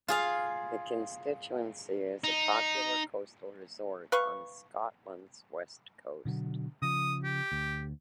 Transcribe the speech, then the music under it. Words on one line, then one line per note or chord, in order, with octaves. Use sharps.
The constituency is a popular coastal resort on Scotland's west coast.
F4 G#4 F5
D#4
B4 F5 C#6
B2 D3 F#3
C#3 F3 D#6
G4
D2